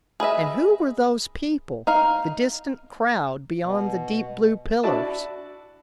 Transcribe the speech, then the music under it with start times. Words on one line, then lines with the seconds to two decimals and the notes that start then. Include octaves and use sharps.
And who were those people, the distant crowd beyond the deep blue pillars?
0.20 G#4 B4 D#5 E5
1.87 D#4 A#4 F5
3.62 B2
4.83 D4 E4 F#4 D5 E5 A5